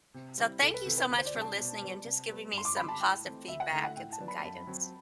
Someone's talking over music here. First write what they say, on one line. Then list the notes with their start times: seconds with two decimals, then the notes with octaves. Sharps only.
So, thank you so much for listening and just giving me some positive feedback and some guidance.
0.14 C3
0.38 G3 C4 E4
0.62 C2 A4
0.74 B4
0.85 C3 E3 A4
0.98 B4
1.09 D2
1.18 C5
1.25 D5
1.34 C3 G3 D4
1.41 A5
1.57 B2
1.81 G3 B3 D4
2.05 C3
2.29 G3 B3
2.53 G2 C6
2.65 D6
2.76 D3 G3 C4 B5
2.88 A5
3.01 A2 G5
3.24 E3 A3 C4
3.48 D2 E5
3.60 F#5
3.72 D3 A3 E4
3.84 F#5
3.96 A2 G5
4.13 A5
4.20 F#3 B3 D4
4.28 B5
4.44 F#2
4.67 F#3 C4